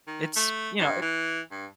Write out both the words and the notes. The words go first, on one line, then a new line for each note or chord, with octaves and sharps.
it's, you know, it
D#3
A3
G2
E3
G2